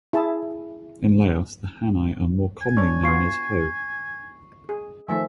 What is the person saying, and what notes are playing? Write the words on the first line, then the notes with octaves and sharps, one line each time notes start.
In Laos, the Hani are more commonly known as "Ho".
E4 G#4 A5
G#5
D4 C#5 C#6 G#6
B3 F4 C#6 C7
G#4
D#3 F3 A3 E5 G#5